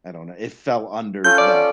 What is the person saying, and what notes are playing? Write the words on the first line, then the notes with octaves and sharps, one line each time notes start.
I don't know it fell under that
C#4 F4 A4 G6
D5